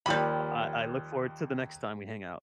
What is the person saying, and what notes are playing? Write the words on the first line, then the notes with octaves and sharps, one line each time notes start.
I I look forward to the next time we hang out.
D#2 F3 G3 B5